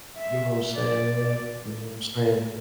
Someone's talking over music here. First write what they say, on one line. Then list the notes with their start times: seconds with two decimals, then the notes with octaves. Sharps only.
You know what I'm saying, man? You know what I'm saying?
0.17 E5
0.74 D5